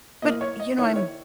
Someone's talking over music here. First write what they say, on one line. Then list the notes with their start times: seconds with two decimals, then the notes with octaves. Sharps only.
But, you know, I'm
0.22 A#2 A#3 E4 D#5
0.41 C#5
0.60 D#5
0.78 D#3 A#3 E4 C#5
0.96 C#5